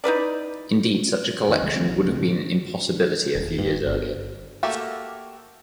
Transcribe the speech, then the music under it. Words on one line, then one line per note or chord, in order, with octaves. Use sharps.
Indeed such a collection would have been an impossibility a few years earlier.
D#4 E4 B4 D5
F2 D#3
C2 D#3 G3 A3
D2 D#3 A3 C4
B1
B1 C3 A3 C4
A2 D3 E3
D#1
G2
G1
A3 A#3 F#4 G4 A4